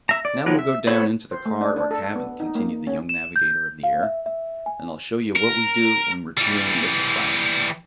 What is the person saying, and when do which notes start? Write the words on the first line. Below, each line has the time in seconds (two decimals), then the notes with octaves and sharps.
"Now we'll go down into the car or cabin," continued the young navigator of the air, "and I'll show you what we do when we're touring amid the clouds."
0.09 E5 A#5
0.25 D5
0.46 D#3 F3 F#3 A#4 B4
0.59 E5
0.87 B3 A4 C5 C#5 B5
1.31 C5
1.46 A3
1.61 D4
1.76 D4
1.91 A4
2.15 B3
2.40 D#4
2.55 A#3
2.87 C#4
3.09 E7
3.36 G6
3.83 F5
4.03 E5
4.26 E5
4.66 G#5
5.36 A#4
6.37 E3 G3